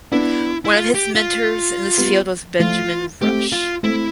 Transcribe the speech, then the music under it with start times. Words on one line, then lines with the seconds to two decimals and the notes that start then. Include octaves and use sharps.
One of his mentors in this field was Benjamin Rush.
0.12 B3 D4 E4
0.65 E4
0.74 F4
0.95 G4
1.15 F4
1.98 G3 B3
2.59 F3 A3 F4
3.21 A3 C4 G4
3.52 F4
3.83 A3 C4 E4